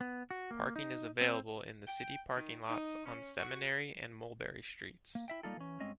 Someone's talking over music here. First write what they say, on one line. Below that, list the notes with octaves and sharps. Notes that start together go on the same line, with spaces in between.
Parking is available in the city parking lots on Seminary and Mulberry Streets.
B3
F#4
A#3
D#4
C4
G5
D#3
D#4
C#4
F#4
A#3
E4 E5 G5
G3 A#3 D#4 F4 A4
E3 C#4
G2 G#3 C4 C#4 D#5